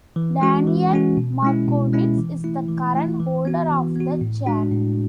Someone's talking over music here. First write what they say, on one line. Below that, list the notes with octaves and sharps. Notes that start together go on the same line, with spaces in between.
Daniel Markovits is the current holder of the chair.
E3
G#3 C#4 F#4
E3
G#3 C#4 F#4
B2
G#3 C#4 E4
B2
G#3 C#4 E4
E3
A3 E4
E3
A3 E4
E3
B3 F#4
E3
B3 F#4
A2
G#3 D4 F#4
A2